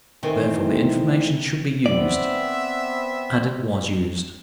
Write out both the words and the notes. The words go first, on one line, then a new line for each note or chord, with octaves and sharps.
Therefore the information should be used--and it was used.
C3 D#3 E3 A3 C4
B3 C4 D5 E5